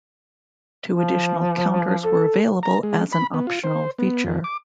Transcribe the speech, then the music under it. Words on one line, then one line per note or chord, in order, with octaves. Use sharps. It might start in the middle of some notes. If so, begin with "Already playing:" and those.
Two additional counters were available as an optional feature.
F3
A4
A#5
G#3
B5
B3
F4
C5
B3
F2
D6